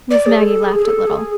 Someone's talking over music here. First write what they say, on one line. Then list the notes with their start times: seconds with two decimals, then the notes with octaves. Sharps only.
Miss Maggie laughed a little.
0.11 D5
0.26 G#4
0.41 A4
0.63 G#4
0.78 G#4
0.85 A4
1.07 G#4